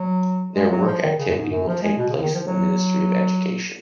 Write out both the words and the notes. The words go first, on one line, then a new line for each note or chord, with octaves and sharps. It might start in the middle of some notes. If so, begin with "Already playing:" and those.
Their work activity will take place in the Ministry of Education.
Already playing: F#3
G#3
F#3
F3
D#3
C#3
F#2
G#2
F#2
F3
G#3
B2
C#3
D#3
F3
F#3